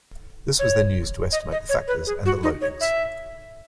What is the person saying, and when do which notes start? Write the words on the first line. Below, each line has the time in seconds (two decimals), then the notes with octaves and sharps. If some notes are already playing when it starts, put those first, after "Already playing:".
This was then used to estimate the factors and the loadings.
0.59 C#5
1.32 D#5
1.52 D#5
1.69 C#5
1.88 B4
2.07 G#4
2.26 F#4
2.43 D#4
2.61 C#5
2.81 E5